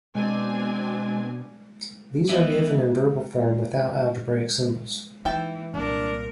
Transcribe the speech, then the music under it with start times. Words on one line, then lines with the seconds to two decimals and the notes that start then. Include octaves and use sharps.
These are given in verbal form without algebraic symbols.
0.15 B2 G#3 C4 D4 G#5
2.29 E3 B3 D#5 E5
5.25 E3 A#3 D#4 E5 G5 A5
5.74 C2 A#2 D4 A#4